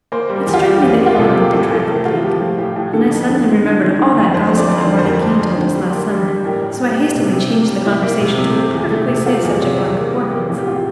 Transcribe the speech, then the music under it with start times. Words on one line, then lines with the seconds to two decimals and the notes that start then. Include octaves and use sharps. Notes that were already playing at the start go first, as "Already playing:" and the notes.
It struck me that Helen looked a trifle bleak, and I suddenly remembered all that gossip that Marty Keene told us last summer; so I hastily changed the conversation to a perfectly safe subject like orphans.
0.12 A#3 C5
0.30 G3
0.36 A#4
0.47 E2
0.54 F4
0.59 G4
0.65 G3
0.82 E2 F4
1.00 A#3
1.06 F4
1.18 C3 A4
1.30 G4
1.35 A#3
1.53 A2 A4
1.71 A2 A4
1.88 A3 A#4
2.05 A3 F4
2.23 F3 G4
2.40 A3
2.58 A2 G4
2.76 A2
2.93 D3 A4
3.11 F2
3.29 D3
3.46 D3
3.64 D3
3.81 D3
3.99 D3
4.17 F2
4.34 F2 C5
4.52 A3
4.58 D5
4.69 F2
4.81 C5
4.87 D3
4.99 C5
5.05 F2 A#4
5.22 F2
5.40 F2
5.57 D3
5.75 G3
5.93 A#3
6.10 G3
6.27 G3
6.45 A2 A#4
6.62 A2
6.80 G3
6.97 A2
7.15 C3
7.33 C3
7.50 A#3
7.68 G3
7.86 C2 E4
8.03 A#3
8.21 C3
8.38 C3
8.56 A3
8.74 E2
8.91 A3
9.08 C3
9.26 A3 F4
9.44 E2
9.62 C3
9.78 E2
9.97 A#3
10.14 G3
10.32 A#3
10.50 A2
10.58 G4
10.67 A2 F4